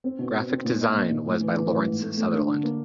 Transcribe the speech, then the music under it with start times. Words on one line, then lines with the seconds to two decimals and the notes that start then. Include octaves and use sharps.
Graphic design was by Laurence Sutherland.
0.04 C4
0.19 B2
0.34 C4
0.50 C4
0.65 A#2
0.80 D#4
0.95 A#3
1.11 A#2
1.26 A2
1.41 E3
1.56 E3
1.72 A2
1.87 G#2
2.02 A3
2.17 A3
2.33 D4
2.47 D3
2.63 A#3